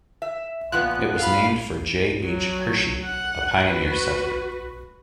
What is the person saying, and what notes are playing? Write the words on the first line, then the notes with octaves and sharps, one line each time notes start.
It was named for J. H. Hershey, a pioneer settler.
E5
A#2 F3 B3 F#6
F5 B5
F#3
F#5
F#4 B4